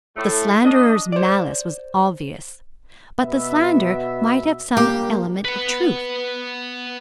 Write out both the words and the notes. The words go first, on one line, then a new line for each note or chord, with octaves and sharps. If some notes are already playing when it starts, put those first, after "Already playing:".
The slanderer's malice was obvious; but the slander might have some element of truth.
A2 A3
D4 D#5
C5 D5
B2 B3 E5
A#2 G3 A#3 D4 G4
B4 F#5